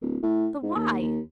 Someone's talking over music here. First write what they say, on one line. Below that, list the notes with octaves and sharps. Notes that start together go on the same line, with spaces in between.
"But why?"
D1
A2
G#2
D#2
D#2